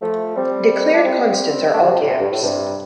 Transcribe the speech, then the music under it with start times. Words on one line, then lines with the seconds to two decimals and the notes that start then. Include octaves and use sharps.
Declared constants are all caps.
0.02 F3 A3
0.36 G3 C4
0.94 D4
1.05 G3 C4
1.73 A3 D4
1.82 D3 G3
1.91 C3 F3
2.00 A2 D3
2.08 G2 C3
2.20 G2
2.31 A2
2.42 G2 C3